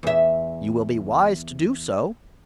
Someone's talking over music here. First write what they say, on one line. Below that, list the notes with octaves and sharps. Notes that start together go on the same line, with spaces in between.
"You will be wise to do so."
E2 E5